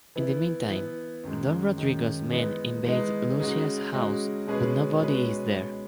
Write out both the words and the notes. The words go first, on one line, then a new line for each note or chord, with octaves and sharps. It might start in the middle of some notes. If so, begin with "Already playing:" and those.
In the meantime, Don Rodrigo's men invade Lucia's house, but nobody is there.
E3 B3 E4
E3 B3 E4
F#2 D#3 G#3
F#2 D#3 G#3
E3 G#3 B3 D#4
E3 G#3 B3 D#4
C#3 G#3 D#4 F#4
C#3 G#3 D#4 F#4
B2 G#3 C#4 G#4 B4
B2 G#3 C#4 G#4 B4